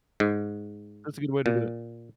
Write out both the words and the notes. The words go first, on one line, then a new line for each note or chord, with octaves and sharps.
That's a good way to do it.
G#2
A#2